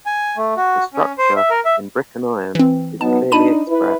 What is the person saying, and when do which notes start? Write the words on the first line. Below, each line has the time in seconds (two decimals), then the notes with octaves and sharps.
The structure, in brick and iron, is clearly expressed.
0.06 G#5
0.37 A3
0.57 F#4
0.94 C#4
1.18 C5
1.36 E5
1.50 A#4
1.65 E5
2.55 E3 C4
3.01 F#3 B3 D#4 A5
3.32 D4 D#4 A5 B5 D#7
3.68 E4 B4